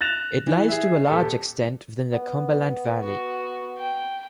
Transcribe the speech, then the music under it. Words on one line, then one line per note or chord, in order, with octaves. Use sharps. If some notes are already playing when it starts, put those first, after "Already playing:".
It lies to a large extent within the Cumberland Valley.
F#6 A6 A#6 E7 F7
E3
G#4 E5
D#1 G4 A4
B3
F#4
G5